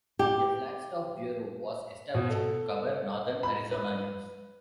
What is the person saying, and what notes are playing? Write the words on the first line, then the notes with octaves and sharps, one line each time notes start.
A Flagstaff bureau was established to cover Northern Arizona news.
G4
B2
A4
B5
B4